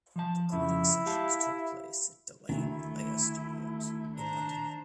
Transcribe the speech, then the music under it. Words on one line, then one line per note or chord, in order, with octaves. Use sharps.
Recording sessions took place at De Lane Lea Studios in London.
F3 A5
F2 C#3 F3 E4
G4 F5 A5
D2 D#3 A3 E4
D4 C5 A#5